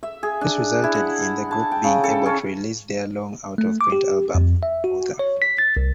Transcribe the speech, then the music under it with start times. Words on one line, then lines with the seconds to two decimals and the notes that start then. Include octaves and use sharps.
This resulted in the group being able to release their long out-of-print album Author!
0.03 E5
0.23 G#4
0.41 D4
0.84 E4
0.95 F#5
1.51 A5
1.71 G5
1.84 C#3
2.04 A4
2.26 C#4
3.58 A3
3.81 D6
3.92 G4
4.35 F2
4.63 E5
4.84 F#4
5.19 C#5
5.42 B6
5.58 A6
5.77 C2